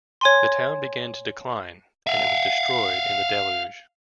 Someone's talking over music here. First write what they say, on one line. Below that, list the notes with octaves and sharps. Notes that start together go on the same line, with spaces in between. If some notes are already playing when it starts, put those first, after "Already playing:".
The town began to decline, and it was destroyed in the deluge.
C#5 G#5 C6
E5 F5